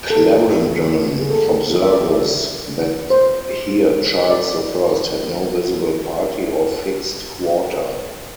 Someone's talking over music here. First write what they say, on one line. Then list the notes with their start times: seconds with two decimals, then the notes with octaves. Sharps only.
Clarendon observes that here Charles the First had no visible party or fixed quarter.
0.10 A4
1.21 G#4
1.30 A4
1.82 E5
1.90 D5
3.10 C5
4.30 D5